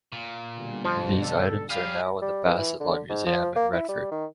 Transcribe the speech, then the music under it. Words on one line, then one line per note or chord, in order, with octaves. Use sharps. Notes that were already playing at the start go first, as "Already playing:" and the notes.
These items are now in the Bassetlaw Museum in Retford.
A#2
B2 D3 G3
F2 F3
D4 A4
G3 G4 G#4 C#5 F5
G3
E2
E3
D3
G#2
F3
A#3
E4
G3
D#3